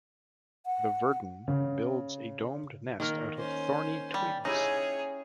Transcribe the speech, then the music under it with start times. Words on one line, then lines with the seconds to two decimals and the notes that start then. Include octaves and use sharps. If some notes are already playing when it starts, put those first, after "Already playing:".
The verdin builds a domed nest out of thorny twigs.
0.66 F#5
1.48 C#3
3.00 D#3 A#3 A#4
3.37 C#4 C5
4.14 G3
4.45 C#4 D#4 E4 G4 G#4 C#5